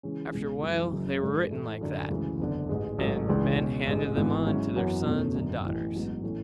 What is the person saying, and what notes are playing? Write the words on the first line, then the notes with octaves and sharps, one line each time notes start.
After a while they were written like that, and men handed them on to their sons and daughters.
C#3 E3 G#3 C#4
C#2 B2 G#3
F#2 E3 G#3
F#1 F#2 C#3
G#2 G#3 D4 A4 D5
A2 E3 A3 E4
F#2 D3 F#3
D2 C#3 E3 G#3
F#1 E2 D3
A1 G#2 G#3
A1 G#2 F#3 A3
C#2 C#3 E3 G#3 D4
B2 G#3 C#4
A1 G#2 G#3
G#1 G#2 E3 B3
G#2 F#3 C#4 E4
F#2 E3 B3 F#4 C#5
E1 E2 B2 A3 C#4
G#1 F#2 D3
A1 A2 E3
A1 G#2 F#3 B3
A2 E3 A3 C#4